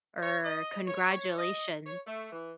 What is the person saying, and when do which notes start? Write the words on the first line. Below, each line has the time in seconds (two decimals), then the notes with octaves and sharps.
or "congratulation."
0.23 C#5
0.44 D#5
0.87 C#5
1.38 D#5
1.85 C#5
2.06 A3
2.31 E3